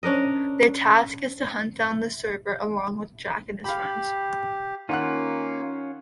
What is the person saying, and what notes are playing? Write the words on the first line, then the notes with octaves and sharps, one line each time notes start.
Their task is to hunt down The Server along with Jack and his Friends.
C#4 D4 A#4 D#5
G4 F5 B5
D#3 A#3 C#4 F4 F#5 F#6